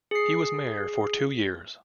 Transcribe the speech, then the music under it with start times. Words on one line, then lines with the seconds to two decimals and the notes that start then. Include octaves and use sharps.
He was Mayor for two years.
0.11 G#4 C7